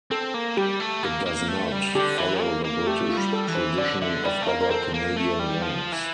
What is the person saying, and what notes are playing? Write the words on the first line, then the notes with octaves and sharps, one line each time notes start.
It does not follow the British tradition of other Canadian ranks.
C4 A4
A#3
G3 G4
A3
A#3
A#3
A3
G3
D3 G4
E3
A#3
A#3
A3 G4
F4
G3
A4
E3
C5
D3 D5
D3 E5
G3 D5
A3
A#3 A#4
A#4
C4 A4
A#3
A3
G3
F3
E3